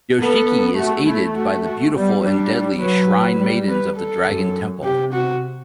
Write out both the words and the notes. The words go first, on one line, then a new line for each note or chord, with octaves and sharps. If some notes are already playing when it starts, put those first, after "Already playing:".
Yoshiki is aided by the beautiful and deadly Shrine Maidens of the Dragon Temple.
B3 A4
A3 F#4
A3 E4
F#4
F#4
G3 B3
G3 D4
F#3 B4
G3
B4
A4
F#2
C3 G4
F#4